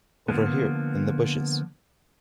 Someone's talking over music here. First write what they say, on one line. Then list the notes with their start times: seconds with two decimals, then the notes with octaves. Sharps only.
Over here in the bushes.
0.28 D3 F3 A#3 B3